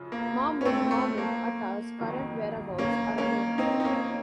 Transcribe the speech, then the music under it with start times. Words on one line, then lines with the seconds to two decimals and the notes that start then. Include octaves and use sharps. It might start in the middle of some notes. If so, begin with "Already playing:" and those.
Mahmoud Mahmoud Atta's current whereabouts are unknown.
Already playing: F#2 C#3 F3
0.12 A#3
0.61 C#4
0.65 A3 C4
0.91 A3
1.18 A#3
1.99 F2 D#3 F#3
2.78 A#3 C#4
3.18 A#3 C#4
3.58 C4 D#4
3.80 D#4
3.85 A#3 C#4